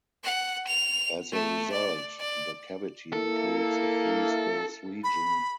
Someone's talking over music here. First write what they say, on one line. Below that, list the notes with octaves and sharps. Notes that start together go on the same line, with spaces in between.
As a result, the cavity includes a free-space region.
F#5
F7
A3
D5
D5
A#3 E4 A4
B5